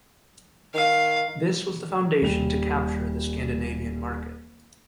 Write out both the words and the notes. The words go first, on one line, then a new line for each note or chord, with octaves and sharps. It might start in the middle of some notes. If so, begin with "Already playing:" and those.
This was the foundation to capture the Scandinavian market.
D#3 F5
D#1 G3 F7